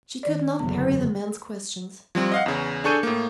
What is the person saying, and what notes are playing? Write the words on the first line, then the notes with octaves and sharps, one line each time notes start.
She could not parry the man's questions.
D#3 D5
F#1 E2 D3 B3
F3 G3 C4
D#5 F5 F#5
E2 C#3
D4 G#4 A4 C#6 G6 D#7
A2 A#3